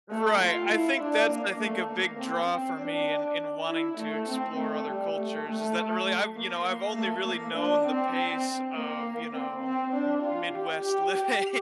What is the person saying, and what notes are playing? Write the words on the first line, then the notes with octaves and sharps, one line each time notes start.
Right, I think that's I think a big draw for me in in wanting to explore other cultures is that really I've you know, I've only really known the pace of, you know, M Midwest living
A3
F4
E4
D4
A#3
A3
A#3
C4
C4
D4
E4
A3
C4
A3
G3
A3
A3
A#3
A#3
A3
A#3
D4
C4
A#3
C4
C4
D4
F4
G4
G4
G4